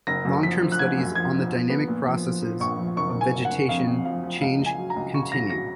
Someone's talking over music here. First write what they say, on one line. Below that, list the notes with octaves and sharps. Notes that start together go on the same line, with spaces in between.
Long term studies on the dynamic processes of vegetation change continue.
F#1 A#6
F#2
F3 B6
F3
F#6
F3 G#6
F#2
F3 G#6
F3
F3
B3
A#2
F3
F3
F3
A#1 C#6
F3
F#1 C#6
F#1
G#5
F#1
F#5
F#1
F2 F5
F2
F3 F5
F3
C#2 F5
C#2
G#5
F#3
A#5
C#2
C#3 C#6
F#3 A#6
F#3 A#6